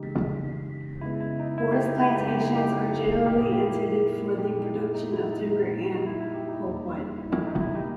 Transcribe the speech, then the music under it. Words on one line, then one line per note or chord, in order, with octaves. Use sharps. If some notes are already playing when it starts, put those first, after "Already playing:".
Forest plantations are generally intended for the production of timber and pulpwood.
Already playing: C#3 E3 G#3 D#4 G4
C#3 G#3 B3 E4
E4
D#4
E4
D#4 G4
D#4
E4
C#3 G#3 B3 D#4 G4
D#4 G4
E4
D#4 G4
A#2 A#3 G4 A#4
E4 G#4
D#4 G4
E4
A#2 G#3 B3 D#4 G4
E4 G#4
E4
D#4
E4
D#4
A#2 G3 A#3 D#4
E4
D#4
E4
E4
D#4 G4
D#4
E2 B2 G3 A#3
E4
E4
D#4
E4
B2 A#3 D#4 G4